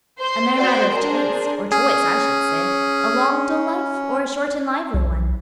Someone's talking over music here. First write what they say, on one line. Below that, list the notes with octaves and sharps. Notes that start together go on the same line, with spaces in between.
"A mere matter of taste, or choice, I should say--a long dull life, or a short and lively one."
C5 C6
F#4 C5 D5 G5
D4 G#4 A#4 C5
C#4 G#4
B1